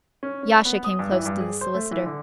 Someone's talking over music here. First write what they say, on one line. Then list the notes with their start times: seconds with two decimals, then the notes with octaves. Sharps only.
Yasha came close to the solicitor.
0.23 C#4
0.43 C#4
0.65 B3
0.84 D#6
0.99 G2
1.11 E3
1.25 G2
1.40 G#4
1.61 C5
1.75 A3
1.91 E3
2.06 D3